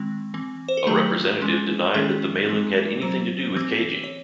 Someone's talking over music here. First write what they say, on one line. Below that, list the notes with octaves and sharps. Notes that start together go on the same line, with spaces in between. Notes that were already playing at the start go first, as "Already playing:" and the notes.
A representative denied that the mailing had anything to do with caging.
Already playing: D#3 G#3 C4
E3 C4
C5
A4
D#3 F#3 A3 G#4
E3 G#3 C#4
D#3 G#3 C#4 G#4
E3 G#3 C4
F#3 C4 C5
E3 C4
C#5